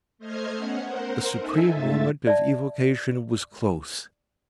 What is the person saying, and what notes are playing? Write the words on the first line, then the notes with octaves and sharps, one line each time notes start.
The supreme moment of evocation was close.
A3 C5 D#5 F6 G#6 C7
B3 C#4 F#5
A#4 C5 F#5
D#4 A4 E5 G#5
G#2 A3 F4 E5 A6
D5 E5 A5